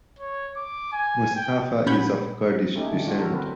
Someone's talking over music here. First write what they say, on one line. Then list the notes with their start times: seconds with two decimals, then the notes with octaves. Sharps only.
Mustafa is of Kurdish descent.
0.19 C#5
0.57 D6
0.93 G#5
1.36 G5
1.86 A#2 C#4 F#5 B5 G6 G#6
2.75 A3 A#3 C#4 D#4 G4
2.92 D3 D4
3.04 E3 D4 F4 F#4
3.19 C4 D4 F#4 A4 A#4
3.31 D3 F#3 C4 B4